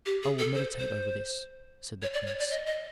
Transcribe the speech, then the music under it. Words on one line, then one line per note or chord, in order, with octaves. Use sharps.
"I will meditate over this," said the prince.
G4
G#4
A4
C5
C5
C#5
D5
C#5
D5
D#5
D#5